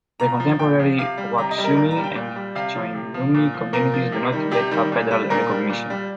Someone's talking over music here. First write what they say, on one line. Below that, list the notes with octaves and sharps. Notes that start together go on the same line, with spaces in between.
The contemporary Wukchumni and Choinumni communities do not yet have federal recognition.
A#2 A#5
F3
A#2 G5
F3
C3 F5
G3
C3 A#5
D#5
G3
A#4
A#2 A#4
A#5
G3
G5
A#2
G3
C3 F5
F3
C3
F3
A#2
F3
A#2 A#4
F3
C3
D#3 G3
C3 G4
D#3 G3
A#2
G3
A#2 A#4
G3
A#2
G3